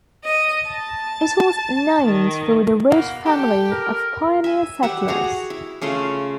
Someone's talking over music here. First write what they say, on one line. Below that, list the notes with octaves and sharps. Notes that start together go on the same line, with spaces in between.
It was named for the Roach family of pioneer settlers.
D#5
A5
D#3
B2 A#3 F#5 A#5
G4 A4
A#4
E5 G#5
G4 B4 E5 F#5
F#4 G#4 F#5 A#5
E4
C#3 A3 F4 C6